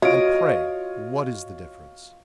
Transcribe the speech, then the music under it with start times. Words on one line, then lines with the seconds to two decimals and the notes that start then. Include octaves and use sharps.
"And, pray, what is the difference?"
0.02 F4 F#4 C#5 D#5 D7